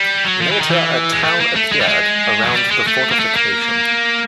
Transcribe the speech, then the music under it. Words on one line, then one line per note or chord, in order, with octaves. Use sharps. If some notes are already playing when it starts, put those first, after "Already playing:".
Later a town appeared around the fortification.
Already playing: G3
F#3
F3
E3
D#3
E3
G#3
A3
A#3
A3
G#3
G3
G#3
F#3
G3
G#3
A3
A#3
A3
A#3